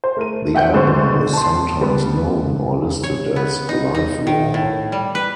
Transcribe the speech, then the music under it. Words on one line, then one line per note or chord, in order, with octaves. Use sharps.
The album is sometimes known or listed as "Live War".
C5
A3 A#4 D#7
E5 F#5 G5 G6
F#1 G#2 D3 B4 C5 C#6
A5 C6
G3 B3
C#5
B3
D#4
D#4
D#3
A2
G3
B4